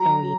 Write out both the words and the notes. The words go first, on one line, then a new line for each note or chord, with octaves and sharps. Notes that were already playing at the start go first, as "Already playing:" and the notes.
Oh ye
Already playing: F#3 A#5
F#3